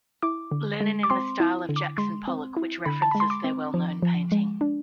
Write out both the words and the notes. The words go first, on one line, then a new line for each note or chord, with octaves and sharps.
Lenin in the Style of Jackson Pollock which references their well-known painting.
E4 D6
D3
G#3
D6
C4 C6
E4
D3
D6
G#3 C6
C4
E4
D3 B5
A5
G#3 B5
C6
D6
C4
F3
F3
G#3
D4